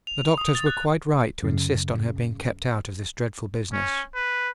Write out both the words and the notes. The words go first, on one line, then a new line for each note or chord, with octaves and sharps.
The doctors were quite right to insist on her being kept out of this dreadful business.
F7
D#6
A6
F#6
F#2 C#3
C#4
B4